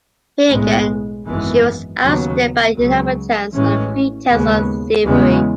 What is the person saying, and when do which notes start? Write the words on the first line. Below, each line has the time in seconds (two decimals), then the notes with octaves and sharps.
Here again, she was ousted by the inhabitants, on the pretext of thievery.
0.50 B1 A2 G#3 B3
1.26 G#1 F#2 E3 G#3 B3
2.02 D#2 C#3 F#3 B3
2.78 C#2 C#3 F#3
3.53 A1 A2 E3 G#3 C#4
4.29 D#2 C#3 G#3 B3
5.05 E2 C#3 G#3 B3